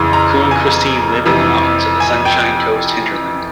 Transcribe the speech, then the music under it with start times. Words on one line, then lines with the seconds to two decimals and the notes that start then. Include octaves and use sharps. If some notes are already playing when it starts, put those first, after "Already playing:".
Crew and Christine live in the mountains of the Sunshine Coast Hinterland.
Already playing: F2 C#3 E3 C6
0.13 A#5
0.51 G#5
1.26 F2 C3 E3
2.00 G#5
2.25 G5